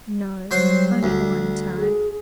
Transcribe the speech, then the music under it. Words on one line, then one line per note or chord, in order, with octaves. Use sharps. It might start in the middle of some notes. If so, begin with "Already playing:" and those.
"No, only the one time."
F#3 G3 C5 C6
D2
G#4